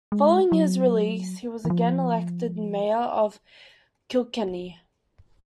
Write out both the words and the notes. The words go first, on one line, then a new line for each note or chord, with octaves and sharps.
Following his release he was again elected mayor of Kilkenny.
G#3
F#3
E3
F3